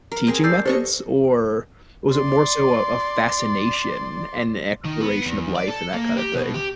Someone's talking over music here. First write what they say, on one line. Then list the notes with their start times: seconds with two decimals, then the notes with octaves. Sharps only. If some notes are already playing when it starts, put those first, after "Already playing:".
teaching methods, or, was it more so a a fascination, and exploration of life and that kind of thing?
0.12 A#4
0.27 C4 G#4 A#4
0.44 A4 D5 E6 G6 C7
0.65 G4 A4 B4 C5 D#5 C#6
2.11 D5 C6
4.85 D#3
5.01 B3
5.26 E2
5.56 D5
5.68 A4
5.93 A#3
6.17 G4
6.35 B2
6.54 G4